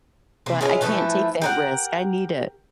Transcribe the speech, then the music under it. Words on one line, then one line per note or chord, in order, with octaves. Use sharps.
but I can't take that risk, I need it.
C3 A#3 C4
G#3 C#4 E4 F4
E3 F3 A3 E4
G4 A#4 F#5